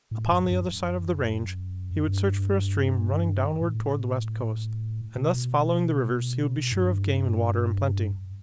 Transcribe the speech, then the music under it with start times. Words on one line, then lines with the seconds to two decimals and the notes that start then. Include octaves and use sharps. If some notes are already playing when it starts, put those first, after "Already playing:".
Upon the other side of the range he would search for a stream running downward toward the west coast, and thus following the rivers he would be sure of game and water in plenty.
0.11 A2
0.31 F#2
0.51 F#2
2.05 G2
3.61 A2
5.17 B2
6.72 G2